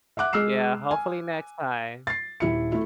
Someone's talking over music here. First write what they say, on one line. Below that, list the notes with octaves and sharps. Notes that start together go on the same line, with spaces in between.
Yeah, hopefully next time.
E5 F#5 D6 F#6
G#3 E6 F6 C7 E7
G#5
A6 C7
D#1 E4 C#7
A3 E4